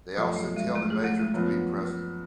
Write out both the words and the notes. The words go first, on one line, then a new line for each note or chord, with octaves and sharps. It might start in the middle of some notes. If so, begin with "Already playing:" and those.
They also tell the major to be present.
F#2 F3 F#3 A3
F#3
G#3
A3
G#4
A3
G#3
F#2 F3 B3 F4